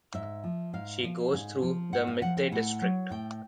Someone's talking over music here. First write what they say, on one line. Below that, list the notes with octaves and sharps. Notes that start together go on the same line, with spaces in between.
She goes through the Mitte district.
G#2 E5
F3
G#2 F5
F3
G#2
F3
G#2 F#5
F5
F3 F#5
G5
A2 F#5
F#3
A2 G5